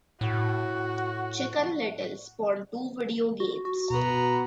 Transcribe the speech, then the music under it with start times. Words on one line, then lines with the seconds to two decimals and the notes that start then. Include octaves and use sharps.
"Chicken Little" spawned two video games.
0.21 A2 F#4
3.40 F#4
3.65 F#4
3.90 B2 B3 B4 A#5